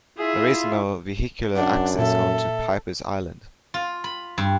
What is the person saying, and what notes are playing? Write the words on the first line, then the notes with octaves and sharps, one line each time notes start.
There is no vehicular access onto Pipers Island.
E4 F4 G#4 E5
F#2 D4 F#5
A#2 A4 E5
F4
B5
G2